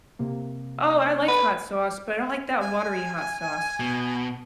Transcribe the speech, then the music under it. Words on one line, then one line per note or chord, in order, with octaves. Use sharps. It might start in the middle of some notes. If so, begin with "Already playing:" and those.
Oh, I like hot sauce, but I don't like that watery hot sauce.
C3 A#3
B4
G#5
B2